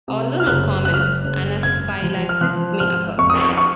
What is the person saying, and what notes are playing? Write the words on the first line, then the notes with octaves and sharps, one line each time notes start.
Although not common, anaphylaxis may occur.
C3
F6
F#1 F#6
F#1 F#6
F6
F#6
F#1
G#1 G#6
F3
F6
F3 F#6
G#1 F6
F2 C#6
D#6
C#6
C#6